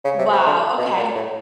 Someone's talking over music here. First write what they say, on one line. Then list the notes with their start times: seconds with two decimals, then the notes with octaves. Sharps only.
Wow, okay.
0.04 C#3
0.19 C3
0.32 C3
0.47 D3
0.78 B2
0.97 A#2
1.15 A2